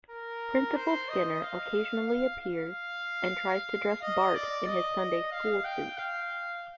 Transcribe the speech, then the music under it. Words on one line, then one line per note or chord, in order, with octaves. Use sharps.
Principal Skinner occasionally appears and tries to dress Bart in his Sunday school suit.
A#4
C5
D#5
F5
F5
F5
D#5
D5
D#5
F5
G5
F5